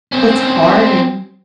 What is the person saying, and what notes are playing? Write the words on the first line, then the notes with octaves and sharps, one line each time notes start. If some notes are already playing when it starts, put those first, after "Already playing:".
it's hard.
C4 C#4